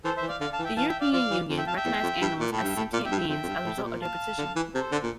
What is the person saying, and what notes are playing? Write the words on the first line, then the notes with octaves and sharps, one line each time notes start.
The European Union recognised animals as sentient beings as a result of their petition.
E3 A4 C5
C5 E5
E3
D5 F5
D3 D5 F5
F5 A5
E3
E5 G5
E3 F5 A5
E5 G5
D5 F5
F3 D5 F5
E3
F2
E5 G5
F5 A5
E5 G5
E2
F2
G2
A#2
A2
E5 G5
G2
A2
A#2 D5 F5
E5 G5
G2
E5 G5
F2 E5 G5
F2
G2
A2
C3
A#2
F5 A5
D3
E3
C3 A4 C5
D3
A#2